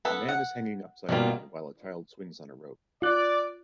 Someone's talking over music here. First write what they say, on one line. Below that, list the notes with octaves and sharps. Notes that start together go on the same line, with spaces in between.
A man is hanging upside down while a child swings on a rope.
B3 A4 B4
F#5
B2 D#3 G3 A#3 F4
F4 D5 F#6